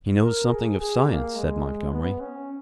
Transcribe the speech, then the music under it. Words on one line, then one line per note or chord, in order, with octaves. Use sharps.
"He knows something of science," said Montgomery.
A#4
G#4
G#4
A#3
G#3
B3
C#4